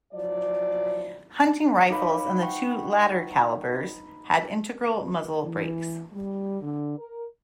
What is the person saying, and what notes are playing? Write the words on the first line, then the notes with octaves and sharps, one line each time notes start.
Hunting rifles in the two latter calibers had integral muzzle brakes.
F3 F#3 E4 D5
D#4 B4 C#5 F5 D6
F#5 G5 C#6
E3
G3
D3
A#4